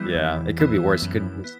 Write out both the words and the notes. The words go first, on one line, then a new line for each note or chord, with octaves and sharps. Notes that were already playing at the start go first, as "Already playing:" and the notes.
Yeah, it could be worse, it could be s
Already playing: E3 G3 B3 E4
E2
E3 B3 E4
F#2
B3